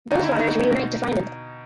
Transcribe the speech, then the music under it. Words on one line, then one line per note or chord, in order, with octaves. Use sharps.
Both fathers reunite to find him.
D#2 D3 D#4
E4
D#4
B2